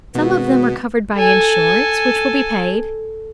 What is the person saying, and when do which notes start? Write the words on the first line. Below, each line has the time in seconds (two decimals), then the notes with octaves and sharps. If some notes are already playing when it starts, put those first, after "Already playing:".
Some of them are covered by insurance which will be paid.
0.15 G#1 B2 F#4 B4
1.14 A4 G#5